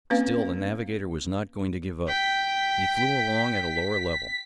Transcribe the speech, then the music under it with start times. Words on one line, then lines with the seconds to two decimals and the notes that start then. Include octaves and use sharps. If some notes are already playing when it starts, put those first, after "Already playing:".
Still the navigator was not going to give up. He flew along at a lower level.
0.10 A#3 C4 C#4 B4 F5
2.08 G5 B6